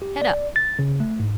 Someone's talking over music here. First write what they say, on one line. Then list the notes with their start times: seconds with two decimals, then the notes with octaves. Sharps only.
Head up!
0.02 G4
0.22 D5
0.56 A6
0.79 C#3
1.00 A3
1.19 G#2